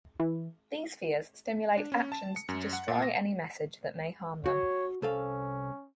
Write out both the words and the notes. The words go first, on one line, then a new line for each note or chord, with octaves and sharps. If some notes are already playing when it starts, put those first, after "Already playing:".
These fears stimulate actions to destroy any message that may harm them.
E3
D4
C#4
A5
C#7
F#2
F#5
A#2
A#6
F#4 C#5
C2 C#4 A4 F5